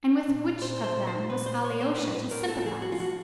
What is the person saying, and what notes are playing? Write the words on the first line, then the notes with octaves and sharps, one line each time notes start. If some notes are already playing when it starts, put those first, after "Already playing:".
And with which of them was Alyosha to sympathize?
A#2
A#2 C5
C5
A#2
C5
A#2 B4
C5
A#2 C#5
C5
A2 B4
B4
A2 A#4
A4
F3 G#4
F#4
F4
F3 F#4